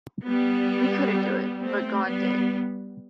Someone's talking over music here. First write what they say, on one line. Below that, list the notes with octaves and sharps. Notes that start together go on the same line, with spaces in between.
We couldn't do it, but God did.
G3 B3
A3 C4
G3 B3